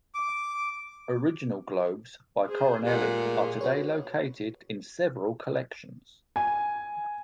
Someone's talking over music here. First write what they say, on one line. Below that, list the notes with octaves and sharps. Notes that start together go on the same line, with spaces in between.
Original globes by Coronelli are today located in several collections.
D6
G#4 C5
A#2 G#3 A3 G4 F#5
G#4
F#4 B4 C#5
G#5